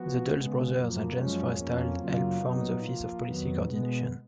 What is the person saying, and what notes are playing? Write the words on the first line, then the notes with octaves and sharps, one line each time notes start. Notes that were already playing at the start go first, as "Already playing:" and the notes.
The Dulles brothers and James Forrestal helped form the Office of Policy Coordination.
Already playing: F3 B3 F#4
C#3 G#3 B3
F#2 F3 A#3
F#2 F3 G#3 C#4
F2 F3 A#3 C#4
F#2 C#3 F#3 A#3 F4
A#2 F#3 B3 D#4
F3 A#3 F4
F2 D#3 F#3 B3
B2 G#3 B3